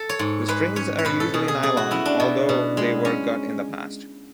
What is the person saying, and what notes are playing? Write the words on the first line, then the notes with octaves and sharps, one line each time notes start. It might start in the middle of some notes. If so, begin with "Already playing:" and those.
The strings are usually nylon, although they were gut in the past.
Already playing: A4
C#5
G#2
G#3 B4
C#4 C#5
C#5
B2 B4
A4
B2 G#4
G#4
A3 G#4
F#4
C#4 E4
D4
B2
B2
G#3
C#4